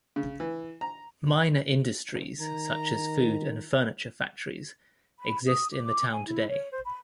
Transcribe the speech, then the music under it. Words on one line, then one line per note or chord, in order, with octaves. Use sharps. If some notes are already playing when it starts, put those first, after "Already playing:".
Minor industries, such as food and furniture factories, exist in the town today.
C#3
E3
A#5
D#3 A#5
B5
D#6
D6
G#5
E4
C#5
C5
B5